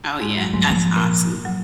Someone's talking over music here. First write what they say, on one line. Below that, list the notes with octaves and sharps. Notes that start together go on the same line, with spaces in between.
Oh, yeah, that's awesome.
G#2 G#3
F#2 F#3
G#2 F#3 G#3
F3 A#3
A#2 A#3
F#3